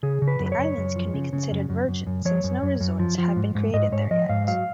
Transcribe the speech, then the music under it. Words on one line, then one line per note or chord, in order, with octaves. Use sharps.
The islands can be considered virgin since no resorts have been created there yet.
C#3 G#4
C#3
B4
F#2
B4
C#5
F#2
F#2
F3
C#3
C#3
F#2
F#2
F#2
F#2
F3 C#5
F#2
F#2
F#2
F3
F3
G#2
G#2
G#2 D#5
G#2 C#5
F3 D#5
G#2 F5
F#3 F5